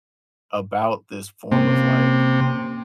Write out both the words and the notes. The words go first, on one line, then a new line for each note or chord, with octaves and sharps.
about this form of, like
C3 A#3 C#4